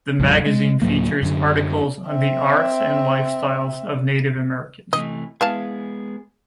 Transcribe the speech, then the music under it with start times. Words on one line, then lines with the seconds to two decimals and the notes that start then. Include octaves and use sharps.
The magazine features articles on the arts and lifestyles of Native Americans.
0.19 A#1 F2 G3
0.46 G#3
0.82 D2 A2 F#3 A#3
1.22 F#2 D3
2.08 C4 E5
4.93 C3 E3 A3 D#5
5.41 E3 G#3 B3 G#4 F5 A5